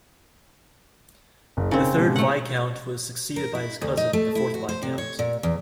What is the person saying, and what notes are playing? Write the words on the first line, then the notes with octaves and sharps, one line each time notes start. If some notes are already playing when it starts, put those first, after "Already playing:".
The third Viscount was succeeded by his cousin, the fourth Viscount.
F#1
C#3 C4 D#4 A#4
G#2 B2 G4
A3 F#5
A#4
E4
D2
D#4
A3
E4
F#4
C5
C3
C#5
A#2
E2